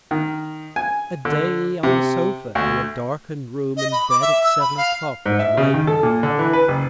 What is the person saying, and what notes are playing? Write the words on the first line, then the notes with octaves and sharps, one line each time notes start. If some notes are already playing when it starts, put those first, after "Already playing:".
A day on the sofa in a darkened room and bed at seven o'clock was my programme.
D#3
G#5
D3
C3
D2
D#5
B5
D6
E5
E6
B5
F5
G#2
E5
C#3
D#3
A4
A#2
D3
E3
B4
F#1